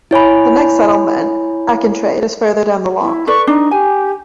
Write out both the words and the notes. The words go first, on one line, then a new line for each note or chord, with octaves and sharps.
The next settlement, Achintraid, is further down the loch.
E4 C#5 G#5 B5
E4
A4 B4 D5 C#6
D4 D#4
G4 G#5